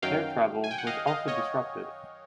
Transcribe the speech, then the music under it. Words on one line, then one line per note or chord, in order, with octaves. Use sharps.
Air travel was also disrupted.
F#2 D#3 F#3 F5 G5
G#5
G5
F#5
D#5 F5
D#5 F5
C#5 D#5